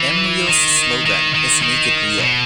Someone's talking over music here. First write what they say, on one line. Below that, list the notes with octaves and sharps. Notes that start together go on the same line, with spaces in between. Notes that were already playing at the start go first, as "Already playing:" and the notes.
M-real's slogan is "make it real".
Already playing: E3
D#3
D#3
D#3
D#3
B2